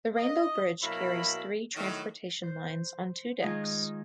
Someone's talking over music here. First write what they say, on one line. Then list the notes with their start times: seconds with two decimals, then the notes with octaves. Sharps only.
The Rainbow Bridge carries three transportation lines on two decks.
0.16 D#5
0.81 B2 F#3 A#3 E4 B5
1.75 A2 D#3 F#3
2.43 C5
3.42 D#3 G#3 D#4 F4 G#4